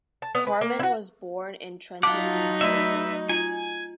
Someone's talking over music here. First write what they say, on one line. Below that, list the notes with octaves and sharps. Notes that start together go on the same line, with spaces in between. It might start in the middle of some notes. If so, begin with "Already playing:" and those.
Carman was born in Trenton, New Jersey.
A5
B3
B4
A#3
E4 F#4
F#3 D#4 F4 F#5 A5 D6 B6
A3 B4 D#5 E5
F4 G#5